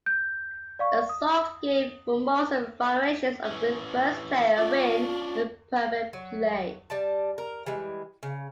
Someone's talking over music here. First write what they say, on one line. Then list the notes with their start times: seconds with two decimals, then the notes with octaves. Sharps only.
A solved game for most of its variations, with first-player win with perfect play.
0.06 G6
0.79 D5 F5 C#6
1.09 D#6
3.45 E3 C#4
4.57 C#4 D4 F4 D5
6.13 F#3
6.90 G3 D5 A5
7.38 A#4
7.66 E3 G3 G#3
8.23 C#3